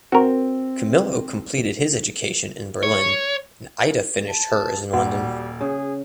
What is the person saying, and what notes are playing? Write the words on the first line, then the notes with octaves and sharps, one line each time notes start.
Camillo completed his education in Berlin and Ida finished hers in London.
C4 F#4 A#4
C#5
A5
D#1 G3 F#4 F#5
C#3 G#4